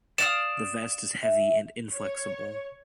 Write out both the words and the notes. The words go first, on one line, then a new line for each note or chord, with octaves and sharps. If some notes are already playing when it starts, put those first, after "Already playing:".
The vest is heavy and inflexible.
D5 F5 D#6 E7
E5
C#5